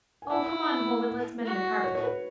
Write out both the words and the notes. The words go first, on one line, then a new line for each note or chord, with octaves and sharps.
'Oh, come on home and let's mend the carpet.
G#5
E4 F#5
F#4
C#5
C#5
B4